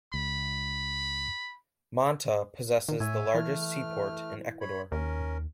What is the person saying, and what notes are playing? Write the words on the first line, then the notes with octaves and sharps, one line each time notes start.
Manta possesses the largest seaport in Ecuador.
C#2 B5
D#3
A2 C#5 E5 G#5
E3 A3 F6
C#5 B5
D#2 C#4 A#4